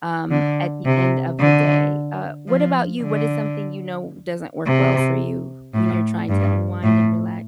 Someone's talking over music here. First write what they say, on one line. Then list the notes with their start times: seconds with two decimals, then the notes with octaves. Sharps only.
um, at the end of the day. Uh, what about you? What is something you know doesn't work well for you when you're trying to unwind and relax?
0.30 D3
0.85 C3
1.40 D3
2.48 F3
3.02 D3
4.66 C3
5.74 A2
6.29 G2
6.83 A2